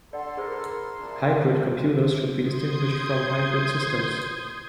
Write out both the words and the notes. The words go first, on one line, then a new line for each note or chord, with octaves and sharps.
Hybrid computers should be distinguished from hybrid systems.
D3 A4 D5 F#5 C6
E4 G#4 A#4 C5
C3 F3 D4
C6 D#6 G6 G#6